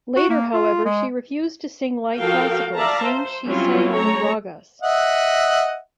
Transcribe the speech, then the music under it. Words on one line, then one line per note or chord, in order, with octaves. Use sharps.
Later, however, she refused to sing light classical, saying she sang only ragas.
F#4
A#3
F4
G#3
F3 F#4 A4 A#4 F5 G5
D5 E5 F5 A5 A#5
C5
F#3 G3 C4 C#4 E4 F4
A3 C#5 A#5
D#5 E5 F#5